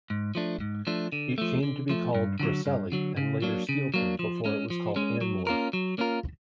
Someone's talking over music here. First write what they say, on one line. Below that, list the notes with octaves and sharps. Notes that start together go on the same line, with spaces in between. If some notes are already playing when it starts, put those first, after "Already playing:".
It came to be called Grasselli, and later Steelton, before it was called Anmoore.
G#2
F3 A3 D4
G#2
F3 A3 D4
D3
F3 A3
D3
F3 A3
G2
D3 F#3
G2
D3 F#3
C#3
F#3 A#3 D4
C#3
F#3 A#3 D4
F3
G#3 C#4
F3
G#3 C#4
F#3
A#3 C#4 F4 A#4
F#3
A#3 C#4 F4 A#4